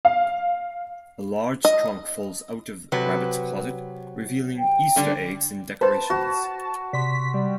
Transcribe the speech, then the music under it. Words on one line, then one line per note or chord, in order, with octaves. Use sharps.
A large trunk falls out of Rabbit's closet, revealing Easter eggs and decorations.
F5
D#5
C3 F#3 B4
G5
D3 G3 D4
B4 C5 A5 B5
F#4
C3 D5 C6 B6
G3